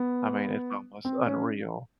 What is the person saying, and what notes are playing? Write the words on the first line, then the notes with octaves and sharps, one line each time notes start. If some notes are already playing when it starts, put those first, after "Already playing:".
I mean, it's almost unreal.
Already playing: B3
C4
C#4